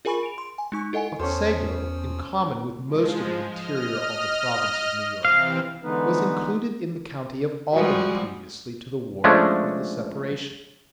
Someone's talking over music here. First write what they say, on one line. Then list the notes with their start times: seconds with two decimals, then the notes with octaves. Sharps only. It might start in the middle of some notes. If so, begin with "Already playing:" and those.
Otsego, in common with most of the interior of the province of New York, was included in the county of Albany previously to the war of the separation.
0.05 F4 G#4 A#4 G#5 B5 C#6
0.23 D7 F7
0.38 C6
0.58 G#5
0.72 G#3 D#4 C#6
0.93 E4 A4 D#5 F#5 G#5
1.19 E2 C#4 A4 C5
2.87 F3 G#3
3.48 D#5 F6
5.25 C3 E3 C4 F5
5.83 D3 E3 G#3 B3 D#4 B4
7.73 F3 G3 G#3 F#4
9.24 F3 G#3 A3 C#4 D4